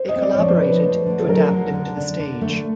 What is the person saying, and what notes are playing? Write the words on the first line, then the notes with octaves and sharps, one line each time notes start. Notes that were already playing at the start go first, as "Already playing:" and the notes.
They collaborated to adapt it to the stage.
Already playing: C5
D#5
C4
D5
F3 C#5
C5
F3 B4
A3
D3
A4
F#3 A#4
D3
D3
D4
D3
A3